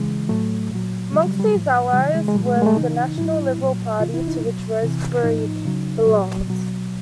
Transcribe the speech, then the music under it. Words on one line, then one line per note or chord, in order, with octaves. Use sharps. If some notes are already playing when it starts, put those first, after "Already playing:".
Amongst these allies was the National Liberal Party to which Rosebery belonged.
Already playing: C#3 E3 G#3
A2 F#3 A3
A#2 F#3
C#3 F#3 G#3
G3
G3
A2 F3
C#3 E3 G3
G#3
G#3
A#2 F3 G3
G#3
A3
G#3
A3
C#3 E3 D#4
A2 F#3 E4
A#2 F#3
C3 E3 F4
E4
D#4
B2 F#3
C3 E3
A2 F3 D#4
C#3 F#3
A#2 F#3
B2 F#3